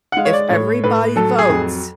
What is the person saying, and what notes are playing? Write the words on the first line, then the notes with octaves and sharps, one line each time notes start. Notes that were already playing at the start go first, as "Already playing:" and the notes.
"If everybody votes"
F#5
G#3 F5
C#5
D5
A2 C#5
A2 B4
F#3 A4
G#4
F2